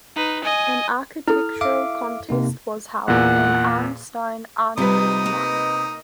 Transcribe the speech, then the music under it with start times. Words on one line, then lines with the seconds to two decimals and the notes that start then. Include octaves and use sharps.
An architectural contest was held, and Arnstein Arneberg won.
0.16 D#4 B4
0.44 D#5 G#5
1.28 E4 A4 F6
1.61 E5 F5 D6
2.29 C3 A#3 D#4
3.08 E2 A#2 F#5
4.78 C3 G3 D#4 F4 B4 D#6
5.26 A#3 D#5